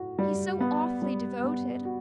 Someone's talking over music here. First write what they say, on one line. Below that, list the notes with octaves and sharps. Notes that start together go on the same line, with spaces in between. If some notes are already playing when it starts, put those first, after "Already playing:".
"He's so awfully devoted!"
Already playing: A2 F#4
G3
B3
G3
B3
F#4